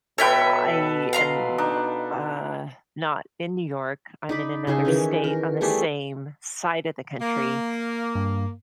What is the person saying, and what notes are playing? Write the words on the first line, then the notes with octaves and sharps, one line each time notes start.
I am, uh, not in New York, I'm in another state on the same side of the country,
B2 A4 B4 C#5 E5 G5
F5 A#5 C6
D4 D#4
D#4 D5 B5
C#3 D#4 G#4 A4
D#3 E3 C#4
A#4
G3 A3 G#4 A4
A#3
G2